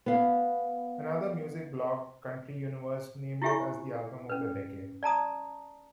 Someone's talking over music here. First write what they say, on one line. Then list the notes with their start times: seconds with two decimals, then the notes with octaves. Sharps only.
Another music blog, Country Universe, named it as the album of the decade.
0.06 B3 F5
3.42 E4 F4 G4 E5 G#5 C#6
4.30 C#4 B4
5.03 D5 A5 A#5 D#6